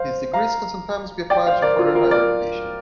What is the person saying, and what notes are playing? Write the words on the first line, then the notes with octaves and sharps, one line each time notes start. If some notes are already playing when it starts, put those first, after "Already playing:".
These degrees can sometimes be applied to further higher education.
Already playing: C5 F5
F5 A#5
D5 G5
C5 F5
A#4 D5
F4
F4 A#4
A#4 D5